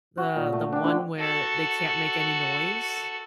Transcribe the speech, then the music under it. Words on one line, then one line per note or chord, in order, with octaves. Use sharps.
The The one where they can't make any noise.
F#4
A#2
A3
D4 G5
D3 F3
F#4 A4